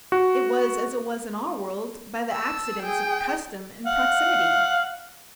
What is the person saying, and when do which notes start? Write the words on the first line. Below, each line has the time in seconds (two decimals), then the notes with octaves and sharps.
It was as it was in our world, by the accidents of custom and proximity.
0.12 F#4
2.32 A5 E6
2.83 G#4 G5
3.87 F5 F#5